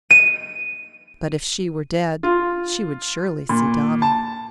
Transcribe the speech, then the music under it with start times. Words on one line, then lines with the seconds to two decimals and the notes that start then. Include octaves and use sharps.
But if she were dead she would surely see Donal.
0.11 D#7
2.23 F4
3.49 A#2
4.02 A5